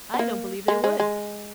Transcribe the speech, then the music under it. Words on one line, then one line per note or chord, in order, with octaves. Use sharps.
'I don't believe they would.
B3
A#3
G#3
G#3
G#3